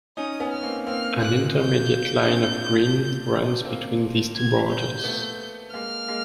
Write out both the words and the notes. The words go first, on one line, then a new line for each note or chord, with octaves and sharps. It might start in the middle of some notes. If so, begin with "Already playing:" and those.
An intermediate line of green runs between these two borders.
C#4 D#4 D#6
B3 C#4
F6
A#3 C4
A#3 C4 F6
F#6
G6
C4 D4
A#3 C4
G#6
G6
A3 B3
G#3 A#3 F6
G#3 A#3